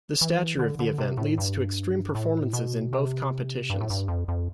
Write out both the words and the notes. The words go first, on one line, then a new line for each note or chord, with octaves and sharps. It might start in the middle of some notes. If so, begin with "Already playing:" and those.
The stature of the event leads to extreme performances in both competitions.
E3
D3
D3
C3
A2
G2
A2
B2
C3
G2
A2
G2
F2
F2